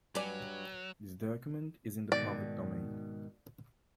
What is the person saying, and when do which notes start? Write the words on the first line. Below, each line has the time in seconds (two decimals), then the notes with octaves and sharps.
This document is in the public domain.
0.15 G2 F#3 G4 B4 D5 G#5
2.12 G#2 B2 D#3 D5